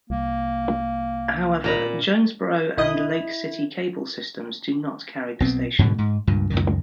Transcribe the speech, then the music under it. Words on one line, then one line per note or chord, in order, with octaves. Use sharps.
However, Jonesboro and Lake City cable systems do not carry the station.
C2 A#3
A#2 A#5 B5
B1 E4 D#5 D#6
B1 B3 C4
G#2 B2 D3 G3
G#2
C#2 G2 A#2
C#2 F#2 D#3